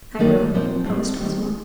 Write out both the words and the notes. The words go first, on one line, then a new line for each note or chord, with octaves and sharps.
"I will," promised Ozma.
D#3 A#3 D#4 A#4 D5
A#2 F3 C4 D#4
A2 A3 C4
D#3 G3 C4 G4